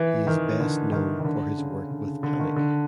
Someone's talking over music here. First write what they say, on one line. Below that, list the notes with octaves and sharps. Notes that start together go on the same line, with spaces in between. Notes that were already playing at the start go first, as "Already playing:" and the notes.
He is best known for his work with Panic!
Already playing: E3
D#3
D3
D#3
D#3
D3
C#3
D3
C#3
D3
D#3
D3